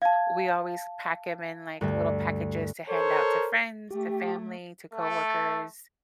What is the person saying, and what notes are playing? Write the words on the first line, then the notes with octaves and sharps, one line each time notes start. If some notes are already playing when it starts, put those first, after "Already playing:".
we always pack 'em in, like, little packages to hand out to friends, to family, to coworkers,
F5 A5 G#6
D2 G2 A3
A4 A#4 C5 C#5
A3 G4
A3